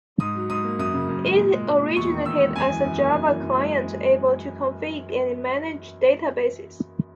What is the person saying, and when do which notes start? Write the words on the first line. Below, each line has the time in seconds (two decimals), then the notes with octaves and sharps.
It originated as a Java client able to configure and manage databases.
0.20 G#2 D#6
0.35 F#3
0.50 G#2 D#6
0.64 A#3
0.79 F#2 D#6
0.94 C#3
1.09 F#2
1.24 G#3
1.38 A#2
1.53 G#3
1.67 G#3
1.82 A#2
1.96 E2 C#6
2.11 D#3
2.26 E2 E6
2.40 G#3
2.55 F#2 G#5
2.70 E3
2.85 F#2
2.99 A#3
3.14 F#2
3.29 E3
3.43 F#2
3.58 G#3